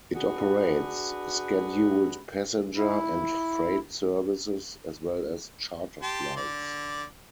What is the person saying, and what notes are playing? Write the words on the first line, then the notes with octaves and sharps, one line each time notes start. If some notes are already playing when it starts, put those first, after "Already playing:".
It operates scheduled passenger and freight services, as well as charter flights.
D4 F#4 G#4 B4
E4
G4 A5 C6
D3 D5